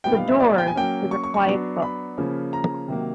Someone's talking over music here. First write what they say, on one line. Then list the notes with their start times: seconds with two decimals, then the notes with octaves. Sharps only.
"The Doors" is a quiet book.
0.04 A#2 G3 B3 D#4 G5
0.17 F5
0.28 E5
0.40 D5
0.58 G5
0.67 G#5
0.76 F#3 A#3 C#4 G5
1.11 C#6
1.24 C#6
1.34 C#6
1.46 F#3 B3 D4
1.82 B5
2.18 C#3 F3 A#3 C#4
2.53 A#5
2.88 C3 D#3 F#3 A#3